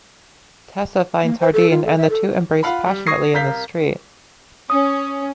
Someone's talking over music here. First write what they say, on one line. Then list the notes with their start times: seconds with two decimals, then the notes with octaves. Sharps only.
Tessa finds Hardin and the two embrace passionately in the street.
1.23 A#3
1.40 C5
1.53 A4
1.70 F4
1.85 A4
1.97 E5
2.10 A4
2.63 F4 F5 F#5 B5
2.86 G3
3.06 C#6 D#6 G#6 A#6 C7 D#7
3.33 C2 A#4 F5 G6 B6
4.70 C#4 D#6